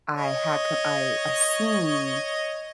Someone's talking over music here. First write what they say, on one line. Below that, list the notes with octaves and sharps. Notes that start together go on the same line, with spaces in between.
I had co I I seen
C#5 D#5